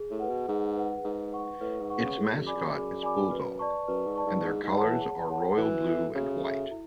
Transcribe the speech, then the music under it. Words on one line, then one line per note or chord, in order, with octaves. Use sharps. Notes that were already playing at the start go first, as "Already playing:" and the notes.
Its mascot is Bulldog and their colors are royal blue and white.
Already playing: G#4
A2
B4 F#5
B2
G#2 G#4
B4 F#5
G#2 B4
F#5 C#6
A2 B4
G#2
F#5 C#6
C#3
A2 G#4
F#2
D5 G#5 B5 D6
F#2
F#2 G#4
D5 G#5 B5 D6
B4
D5 A5 C#6
F#2 B4
G#2
D5 A5 C#6
G#2
G#2 G#4
G#2
C#5 F#5 A5
E3
G#4
C#5 F#5 A5
E3 F#4
A4 E5
C#3 F#4
A4 E5
E4